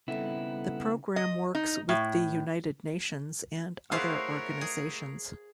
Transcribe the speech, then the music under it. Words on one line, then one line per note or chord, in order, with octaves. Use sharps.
The program works with the United Nations and other organizations.
C#3 G3 B3 C4 D#4 E4 A4 F#5
D#5
D#4
A2
A3 E4 F#4 G#4 A#4 C5 C#5 F5
G#4